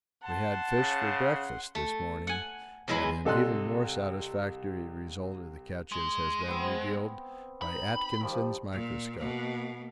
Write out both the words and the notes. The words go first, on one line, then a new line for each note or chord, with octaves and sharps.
We had fish for breakfast this morning, but an even more satisfactory result of the catches has been revealed by Atkinson's microscope.
F#5 A5 C6
C#3
A3
F#5 G#5
E2 F#3 G#3 E4 B4 G#5
C2 A4 D#5 C6 F#6
G#3
B3 C4
D#4 B5
D#3 F3 G3
A#2
B2 A#3